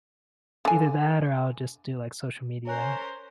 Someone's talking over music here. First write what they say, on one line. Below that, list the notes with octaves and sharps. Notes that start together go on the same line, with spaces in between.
either that or I'll, just, do, like, social media.
D3 G#5
C#4 A#4 C5 C#5 G#5 F#6